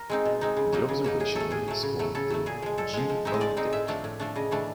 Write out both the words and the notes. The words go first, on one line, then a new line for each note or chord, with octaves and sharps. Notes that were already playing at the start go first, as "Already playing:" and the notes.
The Observation level is called the "GeO-Deck".
Already playing: A#4
G#3 C4 D#4
B2
G#3 C4 D#4
C#3
F#3 A#3 D#4
C#3
F#3 A#3 D#4
A2 G#4
F#3 A3 A4
A2 G#4
F#3 A3
C#3
F#3 A3
C#3 A4
F#3 A3
A#2 G#4
F3 G#3
A#2 A4
F3 G#3
F3
G#3 C4 D#4 E5
D#5
F3 D5
G#3 C4 D#4
A2 E5
F3 A3 D4
A2
F3 A3 D4
C#3 D#5
E3 A3 D4